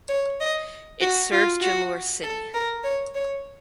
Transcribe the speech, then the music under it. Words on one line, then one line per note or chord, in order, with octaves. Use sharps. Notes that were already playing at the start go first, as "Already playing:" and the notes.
It serves Jalor city.
C#5
D#5
F#4
F4
F#4
A4
A#4
C#5
C#5